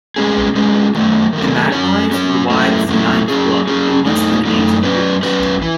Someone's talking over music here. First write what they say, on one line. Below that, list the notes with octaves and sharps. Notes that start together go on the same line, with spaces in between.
The Magpies were Withe's ninth club in less than eight years.
B2 G#3 C#4 G#4
B2 G#3 C#4 G#4
D#3 F#3 A3
D#3 F#3 A3
F#3 C#4 F#4 C#5
F#3 C#4 F#4 C#5
E2 C#3 F#3 A3 E4
E2 C#3 F#3 A3 E4
F#3 C#4 G#4
F#3 C#4 G#4
F#2 E3 A3 D#4
F#2 E3 A3 D#4
F#3 C#4 F#4 B4
F#3 C#4 F#4 B4
E3